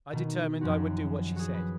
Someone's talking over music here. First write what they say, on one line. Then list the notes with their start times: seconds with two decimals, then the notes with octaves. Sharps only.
I determined I would do what she said.
0.12 B2 D#3
0.61 F#2 F3 C4 F#4
1.36 F#4 G#4
1.54 B4